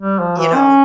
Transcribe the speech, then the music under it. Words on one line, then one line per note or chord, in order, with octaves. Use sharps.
you know,
G3
F3
E3
C#4